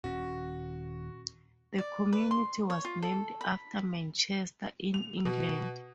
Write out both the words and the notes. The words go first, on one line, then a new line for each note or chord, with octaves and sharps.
The community was named after Manchester, in England.
D#1 C#4 F#4
D5
B4
C6
C#5
F4
A4
B5
F7
B2